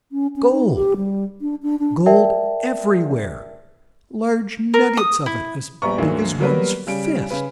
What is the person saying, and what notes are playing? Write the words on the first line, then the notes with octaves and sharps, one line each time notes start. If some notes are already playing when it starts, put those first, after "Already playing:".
Gold--gold everywhere; large nuggets of it, as big as one's fist!
C#4
C#4
D#4
G4
G3
D4
D4
D4
A#4 D5 E5 G5 A5
A#4
D#6
E4
A#1 G3 B3 A#5 C#6
D2 G#2 F#3 A#3 D4
F#3 G3 A#3 B3 A#4 B4
C#3 G3 D7
C#3 B4